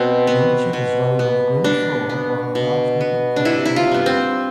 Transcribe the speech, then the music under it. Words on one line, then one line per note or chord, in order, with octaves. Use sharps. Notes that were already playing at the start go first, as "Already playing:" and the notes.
German Shepherds running on a green floor while a large group of people look on.
Already playing: B2 C4
B3
B2
B3
B2 D4
B3
B2
B3
D4
C3 E4
E4
F4
G3 B3
C4